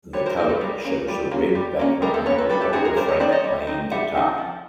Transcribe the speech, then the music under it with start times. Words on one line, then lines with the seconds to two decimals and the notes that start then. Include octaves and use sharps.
The cover shows a red background with Doctor Frank playing guitar.
0.13 G3 B4 C#5
0.26 A#4 C5
0.37 A#3 D#4 A#4 C5
0.49 A4 B4
0.61 G3 G#4 A#4
0.85 A#3 C#4
1.08 G3
1.31 A#3 C#4
1.55 G3
1.79 A#3 C#4
2.02 G3 G#4 A#4
2.14 A4 B4
2.26 A#3 C#4 B4 C#5
2.38 A4 B4
2.50 G3 A4 B4
2.61 G4 A4
2.73 C4 D#4 F#4 G#4
2.85 G#4 A#4
2.97 G3 A#4 C5
3.08 B4 C#5
3.20 C4 D#4 C5 D5
3.32 C#5 D#5
3.44 G3
3.67 C4 D#4
3.91 G3 E5 F#5
4.15 C4 D#4
4.38 F3